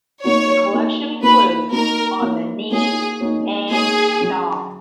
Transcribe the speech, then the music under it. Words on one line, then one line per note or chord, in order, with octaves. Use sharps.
The collection includes "On the Ning Nang Nong".
A#3 D#4 F#4 C#5
A#3 D#4 F#4
A#3 D#4 F#4 B4
A#3 D#4 F#4 A#4
A#3 D#4 F#4 C#5
A#3 D#4 F#4 G#4 C#5
A#3 D#4 F#4 C#5
A#3 D#4 F#4 G#4 C#5
F#3 C#4 G#4 C#5